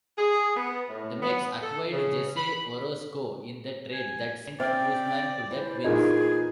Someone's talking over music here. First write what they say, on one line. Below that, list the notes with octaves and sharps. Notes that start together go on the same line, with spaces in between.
The Mets acquired Jesse Orosco in the trade that sent Koosman to the Twins.
G#4
B3
A2
B3
A4
C#3
B5
G#5
C4 C#4 C5 D5 E5 G5 F6
E3 C5
A#2 D#4 G#4 G#5